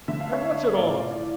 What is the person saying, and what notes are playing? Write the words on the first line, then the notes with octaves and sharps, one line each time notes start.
"And what's it all about?"
D3 A3 D4 E5
F5
C#5 E5
A2 F3 A3 E4 D5 F5
D5 F5